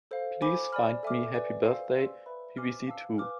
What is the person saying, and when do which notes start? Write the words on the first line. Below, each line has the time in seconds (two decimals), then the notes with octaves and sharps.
Please find me Happy Birthday BBC Two.
0.11 A4 C5 F5
0.41 C5 G#5 B5 D6
0.72 D5 G#5 B5 F6
1.03 A4 E5 G#5 D6 F6
1.34 B4 D5 G#5
1.64 C5 F5 G#5 C6 E6
1.95 D5 G#5 C6 E6
2.26 B4 E5 B5
2.57 C5 G#5 D6 F6
2.87 F5 A5 E6
3.18 B4 F5 G#5 D6 F6